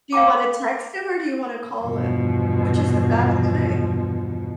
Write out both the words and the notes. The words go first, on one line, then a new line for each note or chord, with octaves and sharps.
Do you wanna text him or do you wanna call him? Which is the best thing?
F5 G5 A#5 D6
E2 G2 B2 F3